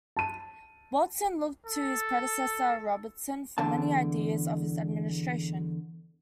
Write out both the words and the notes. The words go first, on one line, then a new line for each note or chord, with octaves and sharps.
Walton looked to his predecessor Robertson for many ideas of his administration.
A5 D#7
A4
E2 D3 A5